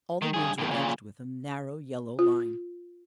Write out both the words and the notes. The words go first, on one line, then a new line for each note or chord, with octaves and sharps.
All the wounds were edged with a narrow yellow line.
D#3
G2 G#4
E2 A2
A#2 C#3
F4